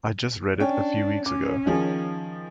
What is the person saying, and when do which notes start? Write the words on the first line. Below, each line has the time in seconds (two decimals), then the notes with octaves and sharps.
I just read it a few weeks ago.
0.60 C#4 D4 C#5 G5
1.26 C#4 D6
1.66 D#3 F3 G#4